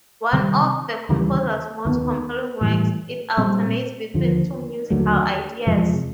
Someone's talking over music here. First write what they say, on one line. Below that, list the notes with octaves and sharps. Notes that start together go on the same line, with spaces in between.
One of the composer's most compelling works, it alternates between two musical ideas.
C3 D#3 G3 C4
D#2 C#3 E3 G3
D#2 D#3 G#3 B3
A2 E3 G3
A#2 G3 C4
D#2 D3 F3
D#2 D3 F#3 A3
E2 C3 F3 G#3